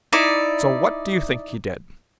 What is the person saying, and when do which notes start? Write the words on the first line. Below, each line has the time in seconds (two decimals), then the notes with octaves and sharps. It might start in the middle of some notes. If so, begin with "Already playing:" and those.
So what do you think he did?
0.12 D#4 E4 D5